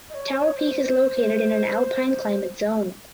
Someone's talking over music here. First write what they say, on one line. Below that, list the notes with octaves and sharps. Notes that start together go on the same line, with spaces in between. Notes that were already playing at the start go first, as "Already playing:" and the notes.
Tower Peak is located in an alpine climate zone.
D#5
C#5
C5